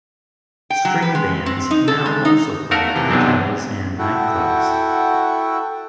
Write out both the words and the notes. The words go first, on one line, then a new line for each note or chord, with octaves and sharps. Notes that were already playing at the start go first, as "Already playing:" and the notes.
String bands now also play at hotels and nightclubs.
G5
F#3
B4
G#3
C4
D#4
A4
G#3
D#4
A3 F#4 A#4 F5 A5
C3 E3
B1 C4 D4
E4 F#4 A4 F#5 G5